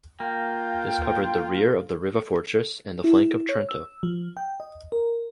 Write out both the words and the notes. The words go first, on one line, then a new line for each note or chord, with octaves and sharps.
This covered the rear of the Riva fortress and the flank of Trento.
A#3 F4 G5
E4
C#5
E6
F3
G5
D#5
A#4